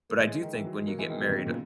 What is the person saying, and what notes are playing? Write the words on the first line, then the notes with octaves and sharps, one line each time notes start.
but I do think when you get married,
A#3
E3 G#3
D#3
E3
F#3
G#3
F#3 A#3
E3 G#3
B2 D#3
D#3 F#3
A#2 C#3
A#2 C#3